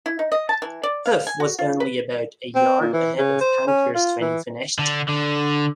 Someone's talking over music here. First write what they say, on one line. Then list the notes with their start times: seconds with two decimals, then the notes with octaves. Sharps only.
Huff was only about a yard ahead of Pankhurst when he finished.
0.06 E4
0.19 D#4
0.32 D#5
0.49 A5
0.62 E3
0.83 D5
1.06 F5
1.27 G#5
1.40 F#4
1.59 F4
1.80 B4
2.55 C4
2.80 A#2
2.93 E3
3.18 C#3
3.41 C5
3.67 C#4
3.95 F4
4.21 E3
4.79 D3
5.09 D3